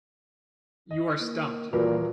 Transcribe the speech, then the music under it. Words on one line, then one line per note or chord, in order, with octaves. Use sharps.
You are stumped.
D#5
A#3
D#1 A#2 E3 F4 F#4 A#4 B4